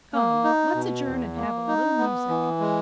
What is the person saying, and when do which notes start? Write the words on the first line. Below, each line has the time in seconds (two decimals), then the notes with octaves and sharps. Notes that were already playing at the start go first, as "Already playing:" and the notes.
"Come, let's adjourn and have a little music."
0.14 A#3
0.44 D#4
0.75 B2
1.06 E2
1.36 A#3
1.68 D#4
1.98 B3
2.29 E3
2.60 G#3